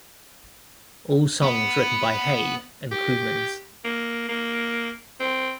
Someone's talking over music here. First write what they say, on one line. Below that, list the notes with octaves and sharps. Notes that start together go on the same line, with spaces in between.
All songs written by Hay and Kooymans.
B3
G4
A#3
A#3
C4